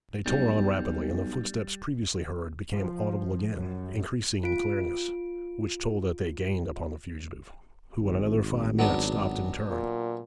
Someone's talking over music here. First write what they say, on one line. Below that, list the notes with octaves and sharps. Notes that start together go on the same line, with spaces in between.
They tore on rapidly, and the footsteps previously heard became audible again, increasing in clearness, which told that they gained upon the fugitive, who in another five minutes stopped and turned.
B1 G3
F3
F#2
F4 D7
G#1
F#3 B3 D4
A#2